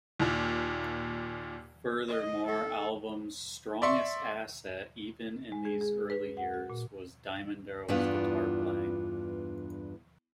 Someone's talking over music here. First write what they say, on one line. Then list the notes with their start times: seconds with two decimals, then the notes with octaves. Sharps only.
Furthermore, album's "strongest asset" even in these early years was Diamond Darrell's guitar playing.
0.19 D#2 A#2
2.08 D#5
2.46 A4
3.82 D5 E5 C6 C#6
5.52 G#3
5.65 G#4
5.81 G#4
6.10 B4
6.37 F#5
6.54 F#4
6.70 A#2
7.88 E2 G2 B3 D4 F4